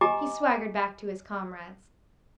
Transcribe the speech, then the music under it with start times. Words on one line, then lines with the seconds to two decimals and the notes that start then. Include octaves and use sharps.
He swaggered back to his comrades.
0.01 G4 D#5 G#5 A#5 D6